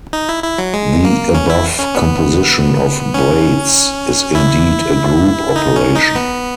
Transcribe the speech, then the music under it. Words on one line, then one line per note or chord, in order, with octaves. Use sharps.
The above composition of braids is indeed a group operation.
D#4
E4
E4
F#3
G#3
A#3
C#4
E4
C#4
B3
C#4
E4
D#4
C#4
D#4
B3